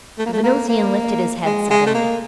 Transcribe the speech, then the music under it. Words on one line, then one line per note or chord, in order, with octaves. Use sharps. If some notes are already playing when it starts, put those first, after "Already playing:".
The Venusian lifted his head suddenly.
A3
A#3
A3
A#3
A#3
G#3
G#3
A3
A#3